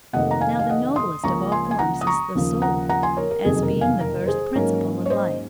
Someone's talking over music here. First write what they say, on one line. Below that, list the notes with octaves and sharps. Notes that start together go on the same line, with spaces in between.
Now the noblest of all forms is the soul, as being the first principle of life.
F1 F2 D#3 A#3 D#5 F#5
A#5
F5 G#5
F5
D#5 F#5
C6 D#6
C#2 C#3 F3 A#3 C#4 A#5 C#6
G#5 C6
G#5
F#5 A#5
D#6
A#5 C#6
D#2 C#3 F3 A#3
F#5 A#5
F#5 A#5
G#5 C6
A#4 C#5
A#4
F#1 F2 C3 D#3 F#3 G#4
A#4
F5 G#5
A#4
G#4 C5
G#2 F#3 A#3 C#4 A#4 C#5
C#5
C5 D#5